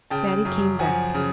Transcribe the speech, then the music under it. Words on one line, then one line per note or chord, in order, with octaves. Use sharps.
Mattie came back.
C#3 G5 A5
F#2
F3 F#5 G#5
C#3